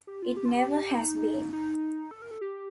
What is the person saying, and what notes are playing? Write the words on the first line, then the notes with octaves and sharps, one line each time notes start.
It never has been.
G4
F4
G4
F4
G4
D#4
D#4
A4
A#4
A4
G4